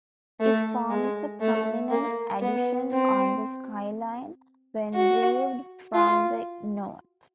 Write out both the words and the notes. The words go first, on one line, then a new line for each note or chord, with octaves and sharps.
It forms a prominent addition on the skyline when viewed from the north.
A3
G#3
A3
A#3
B3
C4
F#4
F4